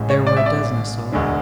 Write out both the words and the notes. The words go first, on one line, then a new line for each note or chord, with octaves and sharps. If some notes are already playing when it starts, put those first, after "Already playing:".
There were a dozen assaults.
Already playing: A1 A2 G#3
C#5
D5
E5
D5
E1 D2 D3 G#3 D4